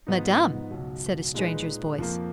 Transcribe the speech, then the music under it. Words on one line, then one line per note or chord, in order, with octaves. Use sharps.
"Madame!..." said a stranger's voice.
G#2 F3 B3 D#4
C#2 B2 F#3
A#2 G#3 D#4 G#4 B4
F2 F3 A#3